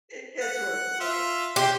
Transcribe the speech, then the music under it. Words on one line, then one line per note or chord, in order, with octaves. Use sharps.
It gets worse, It gets wor
F#5
F4 E5
G4 C5 G5 C6